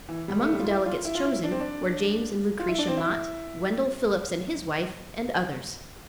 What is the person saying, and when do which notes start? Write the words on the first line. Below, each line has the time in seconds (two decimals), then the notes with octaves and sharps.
Among the delegates chosen were James and Lucretia Mott, Wendell Phillips and his wife, and others.
0.09 E3
0.28 G3
0.41 A3
0.53 G3
0.60 F4
0.66 E4
0.86 F4
1.05 E4
1.15 F4
1.25 E4
1.44 D4
1.51 C4
1.60 D4
2.59 F4
2.69 E4
2.78 D4
2.88 C4
2.97 E4